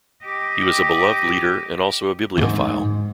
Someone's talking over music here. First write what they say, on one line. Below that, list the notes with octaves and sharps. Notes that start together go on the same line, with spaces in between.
He was a beloved leader and also a bibliophile.
G4 D#5
D#2 G#2